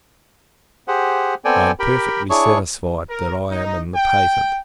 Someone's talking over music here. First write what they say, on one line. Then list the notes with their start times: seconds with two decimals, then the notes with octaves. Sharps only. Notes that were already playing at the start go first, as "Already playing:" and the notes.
I am perfectly satisfied, that I am in the patent.
0.88 G4 G#4 C5 F#5
1.45 B3 C4 A4 D5 G5 G#5
1.80 G4 A#4 G5 B5
2.30 D4 E4 G#4 C#5 C#6
3.10 A#4
3.51 D#4
3.95 G5